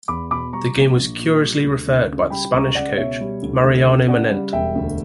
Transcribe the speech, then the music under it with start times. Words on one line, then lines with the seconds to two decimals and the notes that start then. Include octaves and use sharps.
The game was curiously referred by the Spanish coach Mariano Manent.
0.08 E2 B5 D6
0.31 B2 B5 D6
0.53 G3 A#5 C#6
0.76 A#1
0.98 A#1
1.19 A#2
1.42 G3
1.64 D2
1.87 D2
2.09 C#3
2.30 G3 G5 B5
2.53 C#2 A#5 C#6
2.75 C#2 D5 F#5
2.97 B2 C#5 E5
3.20 G3
3.43 D2
3.64 D2
3.87 C#3
4.08 C#3 D5 F#5
4.31 G3
4.53 E1 E5 G5
4.75 D2